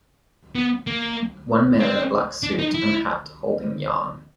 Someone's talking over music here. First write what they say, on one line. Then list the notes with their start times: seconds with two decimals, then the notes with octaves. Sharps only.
One male in a black suit and hat holding yarn.
0.55 B3
0.87 A#3
1.80 C4
2.43 D4
2.59 D#4
2.74 E4